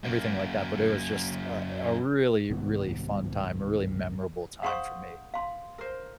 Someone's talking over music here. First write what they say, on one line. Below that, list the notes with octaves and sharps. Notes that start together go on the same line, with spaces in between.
everything like that but it was just a a really, really fun time, a really memorable time for me.
F#2 A#3
C2 G#2 D#3 B3
G#4 C5 F5 F#5 C6 C#6
F5 C6
A#4 C5